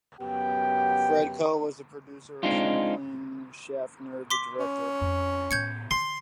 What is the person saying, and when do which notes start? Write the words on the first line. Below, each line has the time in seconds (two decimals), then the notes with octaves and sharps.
Fred Coe was the producer and Franklin Schaffner the director.
0.21 F#2 B3 G4 G5
2.43 G#3 C4 D4 D#4 F4
4.30 C6 D6 B6
4.60 C#4
5.01 F2
5.51 A2 B3 G6 G#6 C#7
5.91 D3 C6